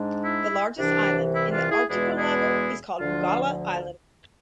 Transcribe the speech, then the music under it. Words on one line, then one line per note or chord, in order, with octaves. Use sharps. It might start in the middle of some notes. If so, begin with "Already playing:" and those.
The largest island in the archipelago is called Bugala Island.
Already playing: G#2 G#3 D4
E4
C2 C3 E3 D4
E4
D4 F4
E4 G#4
E2 B2 G#3 B3 D4 E4 G#4
E4 G#4
D2 D3 F3 D4 F4